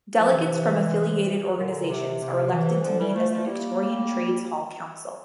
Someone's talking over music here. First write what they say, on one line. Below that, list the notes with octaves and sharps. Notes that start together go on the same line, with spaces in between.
Delegates from affiliated organisations are elected to meet as the Victorian Trades Hall Council.
F3
C3 E3
A#2 D3
C3
C3
C3 E3
D3 F3
E3 G3
F3 A3
F3 A3
G3 A#3